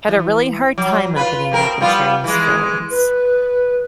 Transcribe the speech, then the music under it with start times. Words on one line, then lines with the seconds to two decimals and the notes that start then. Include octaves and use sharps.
had a really hard time opening up and sharing his feelings,
0.08 E3
0.78 F#3
1.16 F4 B4
1.52 B2 C4 A#4
1.80 G3 B3 F4
2.24 E3 G#3
2.91 B4